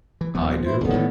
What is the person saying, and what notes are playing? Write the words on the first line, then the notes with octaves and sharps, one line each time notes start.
I do.
E3
D#1 F3 B3
E3 E4 C5
F#1 D2 A2 D3 B3
D#3 E3 A3